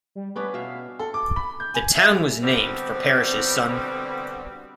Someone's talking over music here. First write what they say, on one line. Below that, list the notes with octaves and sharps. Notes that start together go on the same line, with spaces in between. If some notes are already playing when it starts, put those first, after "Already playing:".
The town was named for Parish's son.
G3
B3 C#4 D4 B4
B2 E5 F5
A4
D6
B5
G6
G#5
E5
G3
B2 D3 G3 C4